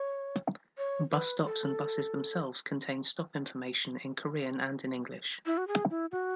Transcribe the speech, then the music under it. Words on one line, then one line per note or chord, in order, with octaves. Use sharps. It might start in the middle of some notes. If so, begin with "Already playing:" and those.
Bus stops and buses themselves contain stop information in Korean and in English.
Already playing: C#5
C#5
B4
A4
E4
F#4
G#4
E4
F#4